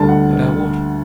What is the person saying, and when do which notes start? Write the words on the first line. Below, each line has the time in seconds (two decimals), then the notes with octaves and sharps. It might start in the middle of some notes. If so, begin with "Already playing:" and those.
"About what?"
Already playing: D2 D3 G3 A5
0.09 F#5